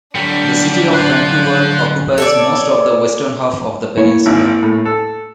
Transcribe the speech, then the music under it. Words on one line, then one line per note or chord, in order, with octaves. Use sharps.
The City of Vancouver occupies most of the western half of the peninsula.
D3 F#3 G3 D4
F4 C5 F#6
A4 C#5 D5
A#3 E4 C#5
G#1
A2
A4